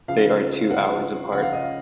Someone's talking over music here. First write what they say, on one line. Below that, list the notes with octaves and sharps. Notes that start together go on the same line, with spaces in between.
They are two hours apart.
C#3 F3 F5
C#3 F3 F#5
C#3 F3 F#5
F5
D#5
F5